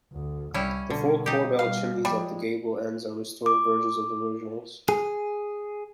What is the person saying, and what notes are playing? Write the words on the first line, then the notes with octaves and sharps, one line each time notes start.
The four corbelled chimneys at the gable-ends are restored versions of the originals.
D2
C2 G3 C#4 E4
B2 D3
D#4 G4
B2 G3 F5
F3 G3 G#3
D6
G#4